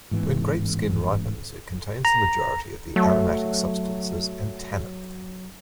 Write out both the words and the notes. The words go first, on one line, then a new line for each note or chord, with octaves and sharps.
When grape skin ripens, it contains the majority of the aromatic substances and tannin.
A1 G#2 E3 B3
A#5
F#3 A3